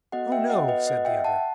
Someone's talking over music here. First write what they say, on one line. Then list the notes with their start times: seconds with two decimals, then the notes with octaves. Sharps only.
"Oh no," said the other.
0.12 B3 F#4 A4 D#5 F#5
0.32 E5 G5
0.50 D#5 F#5
0.68 B4 D#5
0.87 D#5 F#5
1.05 E5 G5
1.24 F#5 A5